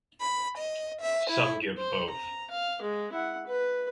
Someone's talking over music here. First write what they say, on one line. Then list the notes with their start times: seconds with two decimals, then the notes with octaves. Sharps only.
Some give both.
0.20 B5
0.57 D#5
1.00 E5
1.30 E4
1.78 C5
2.09 A#5
2.50 F5
2.82 G#3
3.12 E4 F#5
3.47 B4